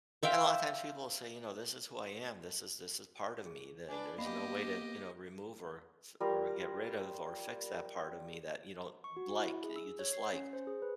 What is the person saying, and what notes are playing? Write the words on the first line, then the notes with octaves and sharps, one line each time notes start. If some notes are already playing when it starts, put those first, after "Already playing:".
and a lotta times people will say, you know, "This is who I am. This is this is part of me. There there's no way to, you know, remove or f or get rid of or fix that part of me that you don't like, that you dislike."
C5 E5 F5 G5
G#4
D4 B4 G#5 A5
A#3 B3 G4 D#5 F5 B5 C7
A#6
G3 F4 A#4
C#6
F#4
E4
G#4
E6
C#5
C7
C#4
C5
G#4
B4